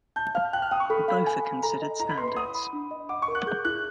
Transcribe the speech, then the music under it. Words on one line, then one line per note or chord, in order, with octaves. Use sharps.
Both are considered standards.
A5 G6
F5 F6
G5 F#6
F6
G5 D#6
C#6
A4 B5
F5 B5
G#5
G#5
A4 A#5
D#5
E4 A#5
B5
B4 C6
C6
F#5 D#6
B5
D4
D#5
F#5 D6
C#6
A#4
F#6
G#4 G6
E4 F#6